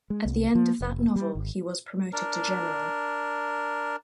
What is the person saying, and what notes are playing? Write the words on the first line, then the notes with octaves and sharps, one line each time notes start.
At the end of that novel he was promoted to General.
G#3
C2
F3
F1
G3
G#1
D4 A#4